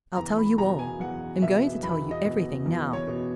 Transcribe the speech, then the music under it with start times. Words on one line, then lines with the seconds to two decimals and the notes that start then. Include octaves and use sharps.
I'll tell you all--I'm going to tell you everything now.
0.17 E2 A#5
0.38 B5
0.58 B2 A#5
0.79 G#5
1.00 E2 F#5
1.42 B2 E5
1.83 E2 B5
2.11 D#5
2.25 B2
2.66 E2
2.93 C#5
3.07 B2